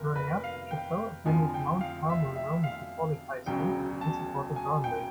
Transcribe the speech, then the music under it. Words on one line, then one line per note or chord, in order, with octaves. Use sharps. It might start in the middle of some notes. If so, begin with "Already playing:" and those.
Growing up, Chaplow attended Mount Carmel Roman Catholic High School and supported Burnley.
Already playing: F1 A#4
B4
F5
G5
F2 D3 F3 G#5
G5
F5
E5
E5
F5
E1 D2 C#3 F#3 G5
A5
G#5
G5